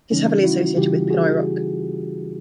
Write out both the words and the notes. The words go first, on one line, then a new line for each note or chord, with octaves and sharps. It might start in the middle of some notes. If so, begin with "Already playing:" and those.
He is heavily associated with Pinoy rock.
C#3 E3 G3 C#4 D#4
E4 F#4
C#3 E3 G3 F4 G4
F#4 G#4